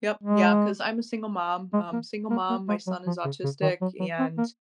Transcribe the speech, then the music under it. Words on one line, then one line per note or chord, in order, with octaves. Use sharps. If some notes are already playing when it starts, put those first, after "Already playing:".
Yep, yeah, 'cause I'm a single mom, um, single mom, my son is autistic, and,
G#3
G#3
A#3
A#3
A#3
G#3
F#3
F3
C#3
C#3
D#3
F#3
F#3
C4
A#3